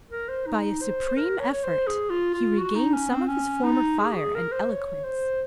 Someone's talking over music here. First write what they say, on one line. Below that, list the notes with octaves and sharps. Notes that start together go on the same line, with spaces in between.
By a supreme effort he regained some of his former fire and eloquence.
A#4
C5
D#4
C5
C5
A#4
C#5
C#5
C5
G#4
F4
F4
F#4
D#4
C#4
C4
C#4
D#4
G#4
F#4
G#4
A#4
C5
C#5
C5